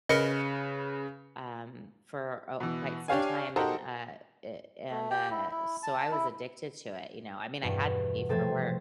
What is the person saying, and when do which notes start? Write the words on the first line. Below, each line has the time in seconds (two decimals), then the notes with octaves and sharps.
um, for a quite some time, and, uh, eh, and, uh, so I was addicted to it, you know, I mean, I had to be for work.
0.09 C#3 A#4 B4 D#5 C#7
2.60 B2 E3
3.08 D4 G4 C#5 F5 G#5
3.56 D#4 F#4 G4 A4 A#4 C5
4.90 A3
5.11 G4 G5
5.31 E4
5.51 E4
5.83 A5
6.12 E4
7.62 E2 G2 B2
8.29 C3 F3 A3 A4 C5 G#6